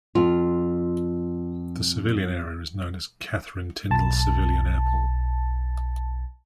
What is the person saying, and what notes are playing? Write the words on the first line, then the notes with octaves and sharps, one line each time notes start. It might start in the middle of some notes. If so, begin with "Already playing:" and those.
The civilian area is known as Katherine Tindal Civilian Airport.
F2 F4
B1 A5